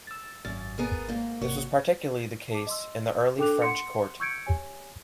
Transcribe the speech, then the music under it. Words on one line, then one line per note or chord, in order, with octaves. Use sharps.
This was particularly the case in the early French court.
E6 A6
G#1 F#2 A6
B3 G#4 A#4
G#2 A#3
G#1 C3 A#3 F#4 C#5
A5 D6
D#5 C6 E6
D4 A4 G5 D6 F#6 F7
F#5 C6 C#7
C#6 E6 G6 G#6 C#7 D7
G4 C#5 G#5